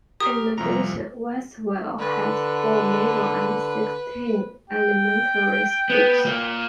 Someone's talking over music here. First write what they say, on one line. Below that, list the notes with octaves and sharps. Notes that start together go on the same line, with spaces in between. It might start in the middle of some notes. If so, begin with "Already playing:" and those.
In addition, Westerville has four middle and sixteen elementary schools.
G4 A#4 D#6
C2 F2 F3 G3 A#5
D3 B4
G5
B3
A#2 A#3